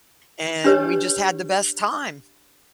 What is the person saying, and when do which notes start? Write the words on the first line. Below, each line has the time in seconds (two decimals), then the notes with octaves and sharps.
and we just had the best time.
0.64 D4 G4 B4 C#5